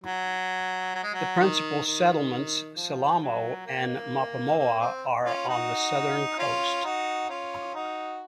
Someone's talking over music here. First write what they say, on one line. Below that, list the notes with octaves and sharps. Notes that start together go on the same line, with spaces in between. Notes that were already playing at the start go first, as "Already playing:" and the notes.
The principal settlements, Salamo and Mapamoiwa, are on the southern coast.
F#3
F#3
G#3
F#3
D#3
D#3
F3
F#3
A#3
A#3
C4
C#4 F4
D#4 F#4
C#4 F4
D#4 F#4
C#4 F4
D#4 F#4